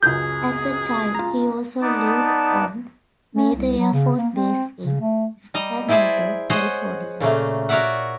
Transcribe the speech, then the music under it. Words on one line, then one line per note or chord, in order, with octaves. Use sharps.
As a child he also lived on Mather Air Force Base in Sacramento, California.
C#2 F#2 G#4 G6
F4 A#5
B3 D#4 D5 A5
C#4
C2
F#3
C#3
A#3
C4
C#3
A3
G3 D#5 A#5
E4 G#4 C5 D5 E5
G#4 C5 C#5 D#5 F#5
A#2 C#3 A3 A#3
F#4 A#4 C#5 D5 E5 F#5